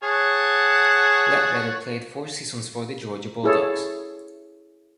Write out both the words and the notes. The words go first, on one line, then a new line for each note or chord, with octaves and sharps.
Ledbetter played four seasons for the Georgia Bulldogs.
G#4 C#5 F#5 A5
E4 G#4 A4 C#5